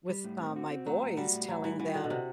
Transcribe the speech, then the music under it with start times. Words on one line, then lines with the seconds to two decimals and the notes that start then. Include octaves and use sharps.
with, um, my boys, telling them,
0.09 G3
0.24 A2
0.40 C4
0.56 F#4
0.71 C4
0.87 A2 F#3
1.01 A2
1.17 G3 F#4
1.33 A2
1.48 A2 F#3
1.64 E3 G3
1.79 E3 F#4
1.94 D3 F#4
2.04 B2
2.10 C3